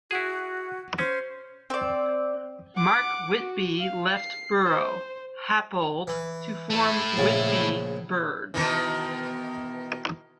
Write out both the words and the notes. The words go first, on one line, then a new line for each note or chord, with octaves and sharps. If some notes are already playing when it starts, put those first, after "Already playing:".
Mark Whitby left Buro Happold to form Whitby Bird.
E4 F#4 G#4
C#4 C5
C4 D5
F#5 D6
F#4
F5
C7
C5
E3
A3 E4
A#1 C#3
B2 D#3 E3